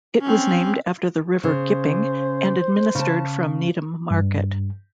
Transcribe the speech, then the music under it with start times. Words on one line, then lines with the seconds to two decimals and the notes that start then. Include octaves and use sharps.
It was named after the River Gipping and administered from Needham Market.
0.21 C4 C#4
1.44 C#3 C5
2.95 C#3 A5
4.11 G2